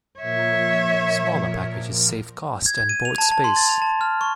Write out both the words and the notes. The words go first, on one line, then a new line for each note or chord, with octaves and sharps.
Smaller packages save cost and board space.
A#2 F3 A#4 C#5 E5
G#6
G#6
D#7
F7
A5
A5
C6
A6
F7
A5
F6
C#6